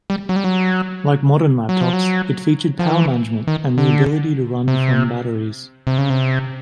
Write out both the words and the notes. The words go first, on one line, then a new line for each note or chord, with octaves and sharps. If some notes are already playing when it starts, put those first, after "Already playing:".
Like modern laptops, it featured power management and the ability to run from batteries.
G3
F#3
G3
F#3
F#3
F3
F#3
F3
E3
D#3
D3
C3
C3
C#3
C3